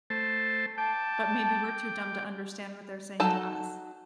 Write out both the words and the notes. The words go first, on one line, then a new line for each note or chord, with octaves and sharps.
but maybe we're too dumb to understand what they're saying to us.
A3 C5 A5
G5 A5 D6
F#3 D#4 A4 A5